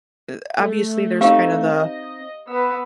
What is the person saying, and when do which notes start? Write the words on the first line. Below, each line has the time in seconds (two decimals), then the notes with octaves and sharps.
eh, obviously, there's kind of the
0.59 A3
1.21 C4 D#4 G4 F5
1.70 D#5
2.47 B3 B4 E6